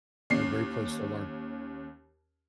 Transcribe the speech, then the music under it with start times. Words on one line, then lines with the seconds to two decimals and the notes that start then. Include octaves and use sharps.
they're a great place to learn.
0.30 D#2 C#4 C7